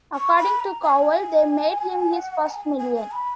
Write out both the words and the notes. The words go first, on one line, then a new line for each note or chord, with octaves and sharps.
According to Cowell, they made him his first million.
C#6
B5
A#5
G#5
F#5
A#5
G#5
G#5
G#5
B5